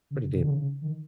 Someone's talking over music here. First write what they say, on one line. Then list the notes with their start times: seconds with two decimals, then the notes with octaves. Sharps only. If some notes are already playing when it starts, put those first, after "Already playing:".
Pretty deep.
0.10 C#3
0.29 C3
0.39 D#3
0.46 C#3
0.81 D#3